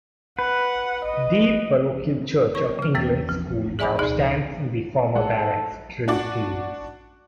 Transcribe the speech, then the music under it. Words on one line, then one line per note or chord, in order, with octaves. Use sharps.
Deal Parochial Church of England School now stands in the former barracks' Drill Fields.
B4 F#5
D#5
A#4 C#5 C#6
C#3 F6
E2 E3 A#3 C4 A6
F3
G#4 D5 E5 G#5 B5 D6
D2 B2 D#4 G#4 F#6
G#3 A4 F#5
D4 F#4 D5